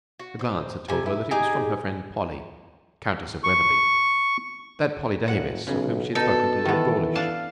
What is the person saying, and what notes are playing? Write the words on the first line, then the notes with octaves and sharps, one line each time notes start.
A glance had told her that it was from her friend Polly, Countess of Wetherby: that Polly Davis of whom she had spoken to Lord Dawlish.
F#4
C5
C3 G#5
E4
D#4 G4 G#4 G#5
C#6
F#1 F#5
B1 C#3
B2 D#4 A4 A5
D#3 E3 B3
D4 F5 A5